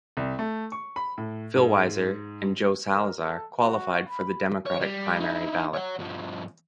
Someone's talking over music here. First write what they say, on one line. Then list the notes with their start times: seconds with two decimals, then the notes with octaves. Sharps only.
Phil Weiser and Joe Salazar qualified for the Democratic primary ballot.
0.17 C2
0.39 A3
0.72 C#6
0.96 B5
1.18 A2
1.56 G#2
2.92 A#4
3.21 A4
3.60 F#4
4.09 B5
4.67 C#5
4.81 G3
5.21 D#4 E4
5.74 C#5 F#5
5.99 G2 F3